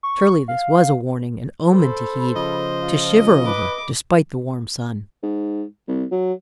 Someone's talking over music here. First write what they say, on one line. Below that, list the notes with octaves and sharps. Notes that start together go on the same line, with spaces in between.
Surely this was a warning, an omen to heed--to shiver over, despite the warm sun!
C#6
F5
A4 C5 B5
C#3 F3 D#5
F4
B4 B5 D6
G#2
C2
F#3